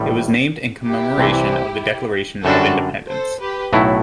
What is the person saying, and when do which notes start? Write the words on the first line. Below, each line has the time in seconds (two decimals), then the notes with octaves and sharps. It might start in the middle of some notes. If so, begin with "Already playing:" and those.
It was named in commemoration of the Declaration of Independence.
Already playing: A1 A2 G3
0.85 E4 G4
1.18 C2 C3 E3
2.45 F#2 D3 G3 D4 F#4 A4
3.09 A4 C5
3.40 G4 B4
3.73 B1 A2 F#3 A3 E4